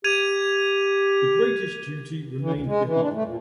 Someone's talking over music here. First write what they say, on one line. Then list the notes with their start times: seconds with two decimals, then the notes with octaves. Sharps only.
The greatest duty remained behind.
0.04 G4 G#6 D#7 F7
2.41 E3
2.54 D2
2.66 G#3
2.84 E3
3.01 D4
3.13 A3
3.25 A#2